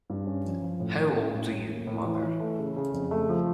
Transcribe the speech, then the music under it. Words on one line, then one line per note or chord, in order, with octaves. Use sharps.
How old are you, mother.
G2
C#4
F3
F3
A2
A2
C#4
A2
A2
A#3
A2
E3
E3
A3
C#3
C#3
F2
A3
F3